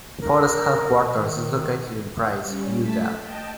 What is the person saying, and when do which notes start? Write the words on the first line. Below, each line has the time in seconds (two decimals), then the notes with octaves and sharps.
Forest headquarters is located in Price, Utah.
0.21 A#4
1.14 D#3
2.46 G3 C#4
2.79 A3 A5 B6
3.22 D#5 G5 A5